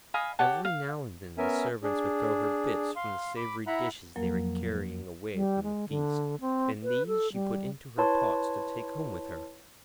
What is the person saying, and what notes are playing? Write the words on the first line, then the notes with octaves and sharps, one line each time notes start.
Every now and then the Servants would throw her bits from the savoury dishes they were carrying away from the feast, and these she put into her pots to take home with her.
D#5 F5 G#5 B5
G4 C#5 F#5 A5
F5
B3 C#4 A#4 E5 G#5
D4 G#4
F5 C6
B5 D6
E4 E5 F#5 A#5 B5 F#6
F2 F3 F#3 A#3 A#4
G3
G#3
D3
C4
B4
A4
G3
E4 B4 C#5 A5 C6